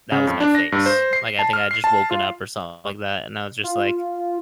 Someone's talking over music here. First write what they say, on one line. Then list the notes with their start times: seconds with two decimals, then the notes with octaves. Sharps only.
that was my face, like, I think I had just woken up or something like that, and I was just, like,
0.12 C#3
0.27 F2
0.40 D4
0.55 A#6
0.72 G2
0.86 C5
1.13 C7
1.39 A5
1.53 F6
1.71 C7
1.84 A5
2.11 F4
3.64 F4